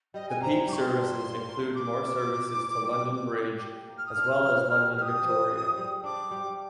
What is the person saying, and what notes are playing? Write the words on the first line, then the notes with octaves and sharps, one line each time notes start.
The peak services include more services to London Bridge as well as London Victoria.
G3 D#5
G#5
C3 A#5
G3 D6
C6
D4
A#3
A#4
A#4 D6
A#4
A#2
A#2
G3
G3
A#3
G4
A#3
F6
D#6
D4 F6
F3
G4
G4 D#6 F6
F3
G#4
G3
D4 D6
G3